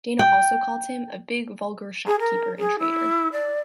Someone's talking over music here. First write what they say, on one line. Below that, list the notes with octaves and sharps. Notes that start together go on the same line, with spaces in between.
Dana also called him a "big vulgar shop-keeper and trader".
G5
G#4
A#4
G#4
E4
D5